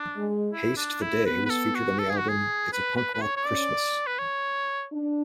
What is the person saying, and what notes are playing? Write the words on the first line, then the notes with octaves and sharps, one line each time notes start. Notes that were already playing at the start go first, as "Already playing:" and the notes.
Haste the Day was featured on the album It's a Punk Rock Christmas.
Already playing: D4
G#3
E4
D4
E4
B3 B4
B4
A4
F#4
A4
G#4
F#4
G#4
B4
B4
B4
C#5
C#5
C#4 D5
B4
C#5
D4